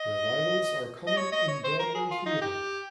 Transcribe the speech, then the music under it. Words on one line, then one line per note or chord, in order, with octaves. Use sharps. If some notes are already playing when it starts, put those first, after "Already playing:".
Revivals are common in Broadway theatre.
Already playing: D#5
D#5
C#5
D#5
C#5
C5
A#4
G#4
F4
D#4
G4